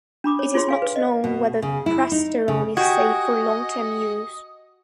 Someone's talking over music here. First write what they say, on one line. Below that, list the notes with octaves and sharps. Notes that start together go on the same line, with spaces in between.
It is not known whether prasterone is safe for long-term use.
D4 B5 D6 D#6
C#5
D#4 F4 G#4 C#5 C6
F5 G#5 C6
B4
D#5
B2
C#3
E4
D#4
C#3
F#4 G4 D#5 G5 G#5 G#6